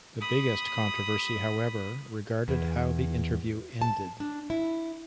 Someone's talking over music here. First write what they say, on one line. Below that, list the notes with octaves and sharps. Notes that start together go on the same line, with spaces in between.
The biggest controversy, however, regarded how the interview ended.
B5 D#6
E2
A5
D4
E4